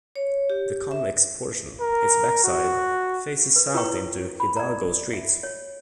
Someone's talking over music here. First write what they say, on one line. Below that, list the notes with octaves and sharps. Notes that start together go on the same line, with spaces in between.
The convex portion, its backside, faces south onto Hidalgo Street.
C#5
G4
E5
A#4
F#4
B4
E4 F4 B4 C#5 G5 C#6
B5
D5 A#5
E5
C#5